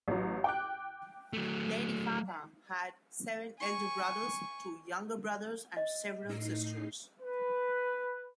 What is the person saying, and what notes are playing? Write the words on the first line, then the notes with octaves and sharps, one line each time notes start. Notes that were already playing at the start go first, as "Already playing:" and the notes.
Lady Fuca had seven elder brothers, two younger brothers, and several sisters.
A1 F#3
G5 D6 F#6
F#3 A3
G#5 C#6
D#5
A2 D#4 C7
B4